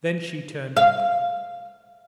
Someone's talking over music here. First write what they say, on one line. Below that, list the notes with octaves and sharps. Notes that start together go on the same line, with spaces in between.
Then she turned up.
F5